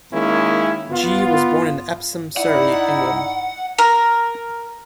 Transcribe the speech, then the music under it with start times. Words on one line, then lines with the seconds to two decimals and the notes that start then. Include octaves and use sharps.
G was born in Epsom, Surrey, England.
0.13 D#3 G#3 A#3 C#4 E4
0.91 B3 F4
2.37 D#4 E4 D5 F#5
3.78 A#4